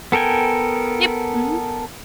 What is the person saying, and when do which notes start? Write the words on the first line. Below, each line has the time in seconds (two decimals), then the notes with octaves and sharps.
Yep, mhm.
0.12 B3 A4 A#4 G5 G#5